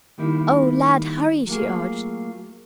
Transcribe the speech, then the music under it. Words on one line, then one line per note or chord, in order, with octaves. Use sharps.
"Oh, Lad, hurry!" she urged.
D#3 G3 A#3 D#4 E4
F#3 A3 A#3 F4 G#4